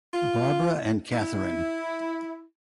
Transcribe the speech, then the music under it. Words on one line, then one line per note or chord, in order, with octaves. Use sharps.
Barbara and Catherine.
F4
E4